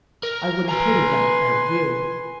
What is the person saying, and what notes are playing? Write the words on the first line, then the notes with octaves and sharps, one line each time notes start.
I wouldn't pity them if I were you.
A#4
B4 G#5 A#5 C6